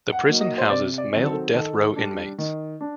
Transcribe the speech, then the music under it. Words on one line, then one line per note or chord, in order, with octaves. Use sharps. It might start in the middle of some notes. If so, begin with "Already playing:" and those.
The prison houses male death row inmates.
F#5
F#3 A#3 D#4
D#5
C5
C3 D5
D5
D#3 F#3 C4 D#4
A4
D#3 A4
G3 D4
D#3
D4